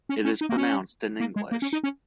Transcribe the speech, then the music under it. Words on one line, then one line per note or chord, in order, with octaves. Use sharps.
It is pronounced in English.
C#4
C#4
D#4
A#3
C#4
A#3
G#3
A#3
C#4
D#4
C#4